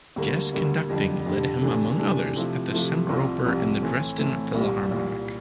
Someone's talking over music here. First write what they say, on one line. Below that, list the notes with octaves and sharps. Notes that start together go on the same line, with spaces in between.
Guest conducting led him among others at the Semperoper and the Dresden Philharmonic.
D2 D3 G3 A#3
D2 D3 G3 A#3
F2 D3 G3 D4 G4
F2 D3 G3 D4 G4
C3 E3 A3 D4
C3 E3 A3 D4
C3 F3 A3 C4 E4
C3 F3 A3 C4 E4
C2 C3 F3 C4
C2 C3 F3 C4
A2 E3 A3 C4
A2 E3 A3 C4
C2 A#2 G3
C2 A#2 G3